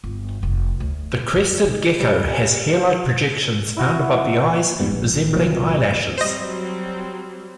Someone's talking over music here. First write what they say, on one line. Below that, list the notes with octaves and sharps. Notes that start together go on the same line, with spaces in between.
The crested gecko has hair-like projections found above the eyes, resembling eyelashes.
G1
F1
D2
F#2
D#3
G3
E4 F#4 F#5
F2 G#2 G3 B3
A#1
C2 A#2 F3 F#3
F#3 G3 C4 C5 D#5